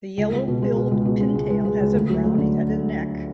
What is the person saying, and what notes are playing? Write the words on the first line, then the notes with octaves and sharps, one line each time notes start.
The yellow-billed pintail has a brown head and neck.
C#2
C#2
B2
G#3
B2
C#2
B2
G#3
C#2
G#3
G#3
C#2
D2
F#3
D2
D3